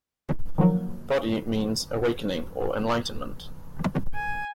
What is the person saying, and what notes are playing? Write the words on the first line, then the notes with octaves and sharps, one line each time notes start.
"Bodhi" means "awakening" or "enlightenment".
D#3 F3 F#3 A#3
G#5